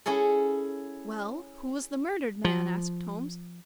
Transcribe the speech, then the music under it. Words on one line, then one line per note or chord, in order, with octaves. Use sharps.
"Well, who was the murdered man?" asked Holmes.
C#4 E4 G#4 A4
F3